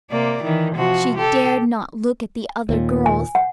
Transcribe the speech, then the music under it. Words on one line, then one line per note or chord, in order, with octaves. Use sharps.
She dared not look at the other girls.
C3 A#3 D5
D#3 E3
C3 F3 F#4
G4 A4
D#2 A#2
G#5
F#5